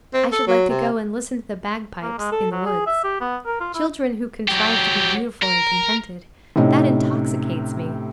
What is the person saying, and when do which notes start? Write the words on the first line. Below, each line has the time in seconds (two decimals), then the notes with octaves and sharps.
I should like to go and listen to the bagpipes in the woods. Children who contrive to be beautiful and contented,--that intoxicates me.
0.14 C4
0.32 A4
0.47 F#3
0.70 C3
2.03 A#3
2.19 G#3
2.32 A4
2.52 F#3
2.66 G#4
2.87 E5
3.04 G4
3.21 B3
3.46 A#4
3.60 F4
3.74 E4
4.48 F#3 G4
5.43 A#4
6.56 A2 C3 C#4 D#4